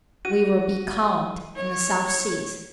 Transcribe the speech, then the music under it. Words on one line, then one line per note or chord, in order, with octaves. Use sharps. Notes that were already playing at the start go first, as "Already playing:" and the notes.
We were becalmed in the South Seas.
F#4 D#7
C#5